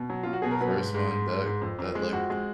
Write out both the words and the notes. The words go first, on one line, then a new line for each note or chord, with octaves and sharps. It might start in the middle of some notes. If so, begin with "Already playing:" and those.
First one that that, like,
Already playing: B2
F#3
F#3 F4
F#4
B2 G#4
A#4
F#3 B4
G#2
G#2
G#2
G#2
G#2
F2
F2
G#3
F2 F#4
G#3